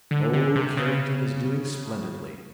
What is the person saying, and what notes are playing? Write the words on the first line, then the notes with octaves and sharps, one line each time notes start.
Oh, Carrington is doing splendidly!
D3
D3
C3
C#3